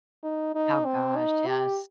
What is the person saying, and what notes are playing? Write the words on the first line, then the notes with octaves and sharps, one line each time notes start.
Oh, gosh, yes.
D#4
D#4
C4
D#4
G4